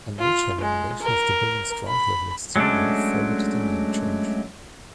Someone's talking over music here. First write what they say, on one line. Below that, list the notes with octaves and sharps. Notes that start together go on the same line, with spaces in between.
A major renovation of the building's ground-level exterior followed the name change.
F4
G#3
A#4
B5
F#3 G#3 A3 C#4 D4